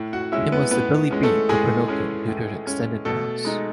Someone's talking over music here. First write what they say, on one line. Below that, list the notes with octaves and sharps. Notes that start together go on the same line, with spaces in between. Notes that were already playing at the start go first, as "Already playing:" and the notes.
Her nickname was "The Billy B" or "Pinocchio", due to her extended bows.
Already playing: A2
F#4 F#5
G#3 C#4 E4 E5
B3 B4
A2 B3 B4
G#3 C#4
A3 A4
A2 G#3 G#4
G#3 C#4
A2
G#3 C#4
B2 A3 A4
G#3 D#4